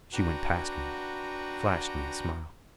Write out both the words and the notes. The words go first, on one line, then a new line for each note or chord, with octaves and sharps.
She went past me, flashed me a smile.
D4 F#4 B4 F#5 G5 A#5